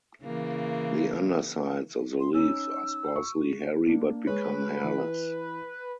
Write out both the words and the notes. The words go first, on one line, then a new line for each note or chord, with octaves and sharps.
The undersides of the leaves are sparsely hairy but become hairless.
C#3 E3 A#3
C6
C#4 D#4 E6
C#6
A#3 D4
G#3 B4 C#5
E3